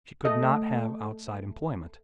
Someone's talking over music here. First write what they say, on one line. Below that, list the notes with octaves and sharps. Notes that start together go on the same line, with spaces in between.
She could not have outside employment.
A3 D#5